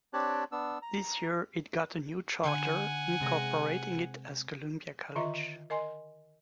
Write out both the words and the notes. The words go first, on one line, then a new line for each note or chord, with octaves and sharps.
This year it got a new charter, incorporating it as Columbia College.
C4 D4 G4 C#5 A5 F#6
B3 D4 E6
A#5
D3 F#5 G#5
C3 G#3 A#6
D3 D#3 F4 D#5 E5 A#5
A#4 D#5 G#5 C6